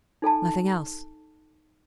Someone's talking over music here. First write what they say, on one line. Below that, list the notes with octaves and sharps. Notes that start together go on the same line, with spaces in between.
Nothing else.
D#4 A4 G#5 A5